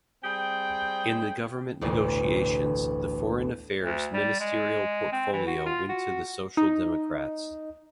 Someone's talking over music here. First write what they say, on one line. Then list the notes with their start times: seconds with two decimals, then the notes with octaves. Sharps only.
In the government negotiations the Foreign Affairs ministerial portfolio went to the Social Democrats.
0.24 G3 C4 G#4 G5
1.81 E1 A1 D2
3.82 D2
4.13 G3
4.40 G#3
5.12 C4
5.33 E3
5.47 F#4
5.66 F4
5.89 F#4
6.57 D#4